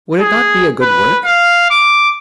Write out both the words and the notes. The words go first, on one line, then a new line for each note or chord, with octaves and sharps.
Would it not be a good work?
G#4
B4
F5
D6